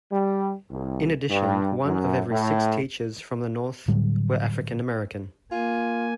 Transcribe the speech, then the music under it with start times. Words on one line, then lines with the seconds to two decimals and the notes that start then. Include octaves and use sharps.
In addition, one of every six teachers from the North were African American.
0.11 G3
0.71 C2
1.30 G2
1.85 F#2
2.30 A2
3.88 A2 D3 F#3 G3
5.52 A#3 F4 G#5